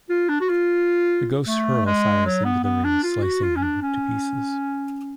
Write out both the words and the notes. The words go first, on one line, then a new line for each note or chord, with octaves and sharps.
The ghosts hurl Cyrus into the rings, slicing him to pieces.
F4
D4
F#4
F4
A3
G#3
F#3
B3
B3
D4
F4
F#4
F4
C#4
D4
C#4